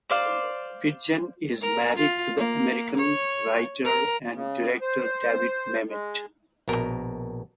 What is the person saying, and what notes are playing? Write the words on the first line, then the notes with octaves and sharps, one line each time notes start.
Pidgeon is married to the American writer and director David Mamet.
C5 D5 F5
A#4
F4
A#3
C#5
A#4
C#3
C5
G#3
A#1 B2 A#4